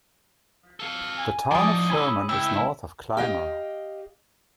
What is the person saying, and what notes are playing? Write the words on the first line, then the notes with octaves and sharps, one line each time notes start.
The town of Sherman is north of Clymer.
A4 F5
G#5
A2 F3 D#4 D5 D6 D#6
C#4 G#5 B5 E6
C#2 E4 G5 E6
G4 D#5 F5